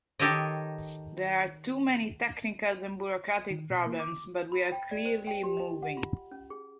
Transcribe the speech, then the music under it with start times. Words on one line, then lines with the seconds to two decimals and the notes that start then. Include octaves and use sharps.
There are too many technical and bureaucratic problems, but we are clearly moving.
0.19 D#3 D#4 G4 A4 C#5 D#5
3.51 D#3
3.70 B2
3.87 A#3
4.00 D6
4.52 B5
4.72 G5
4.91 D5
5.05 C5
5.27 G5
5.43 G4
5.57 D#5
5.82 F#5
5.97 F4
6.31 C#4
6.50 G#4